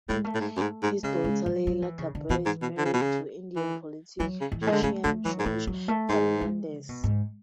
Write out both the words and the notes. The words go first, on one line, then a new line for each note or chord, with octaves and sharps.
His daughter Leila Kabir is married to Indian politician George Fernandes.
A2 G#3
A3
A2
G#2
F#2
G#2
G#2
C#3 G#3
G#3
F#3
F#3
E3
C#3
D3
B2 E3
G#2
B2
D3
C#3
B2
C#3
E3
E3 F#3
C#3
E3
A2
G#3
D3
C#3 A3
D3 A3
E3 F#3
G#2
A2 E3
F#3
A3
G#2 G#3
G#3
C#3
B2
G#2